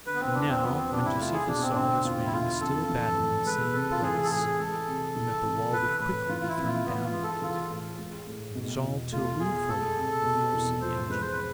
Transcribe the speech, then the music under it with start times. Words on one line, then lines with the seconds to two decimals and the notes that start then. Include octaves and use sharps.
And now, when Josephus saw this ram still battering the same place, and that the wall would quickly be thrown down by it, he resolved to elude for a while the force of the engine.
0.06 D3 B4
0.15 B3
0.20 C4
0.34 E2 D4
0.49 C4
0.64 F3 B3
0.77 C4
0.91 C3 D4
1.05 E4
1.20 A3 F4
1.33 G#4
1.48 B2 D4
1.62 C4
1.70 D4
1.76 D3 C4
2.04 E2 F4
2.26 E4
2.33 D3 F4
2.61 F2 A4
2.89 E3
3.18 A2
3.45 G#3 B4
3.74 C3 A4
3.91 F4
4.02 E3 G#4
4.24 A4
4.31 A2 G#4
4.59 G#3 A4
4.87 C3
5.16 E3
5.44 C3
5.72 E3 B4
6.00 A2 B4
6.29 E3 F4
6.41 F4
6.48 E4
6.57 F2
6.67 F4
6.85 E3 B3
7.04 F4
7.14 G#2
7.23 A4
7.42 E3 F4
7.70 A2
7.99 G#3
8.27 A2
8.55 B2
8.84 E2
9.12 A3 F4
9.40 B2 G#4
9.69 G#3 A4
9.97 C3
10.25 B2
10.53 E2
10.81 F3 C5
11.10 G#2 B4
11.21 C5
11.32 B4